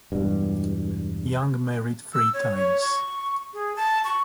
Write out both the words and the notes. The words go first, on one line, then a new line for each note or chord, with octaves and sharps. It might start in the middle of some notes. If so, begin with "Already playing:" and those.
Young married three times.
E1 G2
E6
C#5
C#5
C#6
G#4
A5
C#6